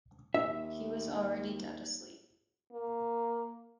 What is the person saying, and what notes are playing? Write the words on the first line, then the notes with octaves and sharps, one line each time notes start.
He was already dead asleep.
D#2 E5
A#3